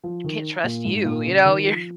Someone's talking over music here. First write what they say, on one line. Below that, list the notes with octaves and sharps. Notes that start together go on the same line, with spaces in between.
can't trust you." you know? You're
F3
D#3
A#2
G#2
A#2
C#3
D#3
F3